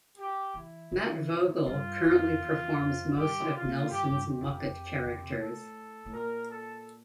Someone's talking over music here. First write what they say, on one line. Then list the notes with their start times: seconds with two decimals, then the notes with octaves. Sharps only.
Matt Vogel currently performs most of Nelson's Muppet characters.
0.17 G4
0.54 E3 E4
0.92 D3
1.10 E3
1.29 C3
1.47 A#2
1.66 G2 F4
2.04 F2
2.41 E2
2.78 F2
3.15 G2 G4
3.40 D3
3.52 F4
3.65 A#2
3.90 G2 G4
4.08 G2
4.27 E2 G4
4.41 G2
4.46 F2
4.64 F2
5.04 E3
5.12 D3
5.21 C3
5.30 A#2
5.38 A2 A4
6.06 A2
6.13 A#2 A#4
6.50 A4